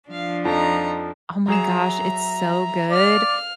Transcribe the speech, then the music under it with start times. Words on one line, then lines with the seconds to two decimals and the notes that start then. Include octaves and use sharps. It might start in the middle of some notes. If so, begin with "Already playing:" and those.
oh, my gosh, it's so good,
0.11 F3 D4 F5
0.45 F2 D#4 A#5
1.48 F#3 G#4 E5 A#5 E7
2.91 D5 F5 F6